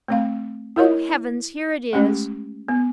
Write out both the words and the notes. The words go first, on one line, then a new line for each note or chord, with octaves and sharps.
"Oh, heavens, here it is!"
A3 C4 F5
E4 A#4 C#5 D#5
G#3 A3 C#4 G4
B3